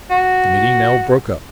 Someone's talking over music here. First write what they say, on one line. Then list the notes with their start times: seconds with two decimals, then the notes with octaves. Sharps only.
The meeting now broke up.
0.10 F#4